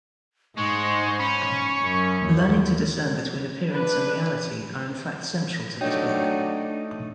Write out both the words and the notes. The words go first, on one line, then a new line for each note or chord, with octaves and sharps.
Learning to discern between appearance and reality are in fact central to this book.
G#2 G#3 D#4 C5 C#6
C#4 B5 C#6
F#2
D#2
D4 B4
F#3 A3 D4 D#4 G5